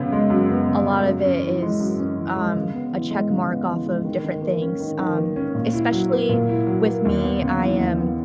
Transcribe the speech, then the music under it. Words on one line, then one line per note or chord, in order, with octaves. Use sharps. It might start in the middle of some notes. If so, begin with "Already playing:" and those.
a lot of it is, um, a check mark off of different things, um, especially with me, I am
Already playing: F#2 C#3 B3
G#3
F#2
B3
C#3
G#3
F#2
C#4
E3
G#3
F#2
C#4
E3
G#3
C#3
B3
E3
G#3
C#3
B3
E3
G#3
D#3
D#3
A#3
C#4
D#3
D#3
A#3
C#4
A#2
E4
F#3
A#3
A#2
E4
F#3
A#3
D#2
B3
C#3
E3
D#2
B3